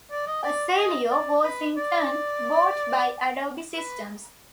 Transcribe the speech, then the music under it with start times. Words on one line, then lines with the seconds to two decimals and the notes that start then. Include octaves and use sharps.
Accelio was in turn bought by Adobe Systems.
0.11 D5
0.27 D#5
0.43 D5
0.77 D#5
1.11 D5
1.44 B4
1.77 D5
3.78 B4